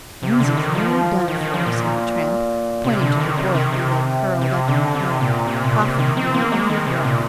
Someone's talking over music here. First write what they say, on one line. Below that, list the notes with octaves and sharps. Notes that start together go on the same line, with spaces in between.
"Jonesy's nearly done for," said the tramp, pointing to the boy who lay curled up in the hay, coughing at nearly every breath.
C3
D3
D#3
F3
D#3
D#3
F3
A#2
C3
D3
D#3
C3
D#3
C3
C3
D3
C3
A#2
C3
A#2
C3
D#3
C4
A#3
G#3
D#3
C3
A#2